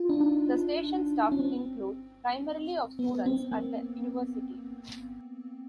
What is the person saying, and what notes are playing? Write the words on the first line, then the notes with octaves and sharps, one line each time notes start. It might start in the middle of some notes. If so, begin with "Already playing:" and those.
The station staff include primarily of students at the university.
Already playing: F4
D4
D#4
C#4
C4
B3
C4
A#3